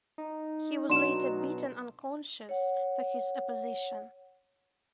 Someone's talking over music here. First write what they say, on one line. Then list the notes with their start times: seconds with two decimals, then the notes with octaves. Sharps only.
He was later beaten unconscious for his opposition.
0.18 D#4
0.90 B2 F#3 D4 F#4 C6 E7
2.49 C#5 F#5